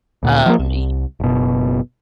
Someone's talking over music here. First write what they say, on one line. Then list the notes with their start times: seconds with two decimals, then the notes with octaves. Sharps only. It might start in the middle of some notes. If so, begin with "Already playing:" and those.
um, y
0.23 D2 A#2
0.46 F3 A3 A#3
0.59 C2
1.20 F#1 B2